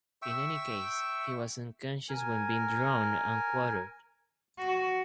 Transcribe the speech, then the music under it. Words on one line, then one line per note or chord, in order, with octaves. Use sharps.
In any case, he was unconscious when being drawn and quartered.
E5 G5 C#6 E6
A#4 G#5
F#4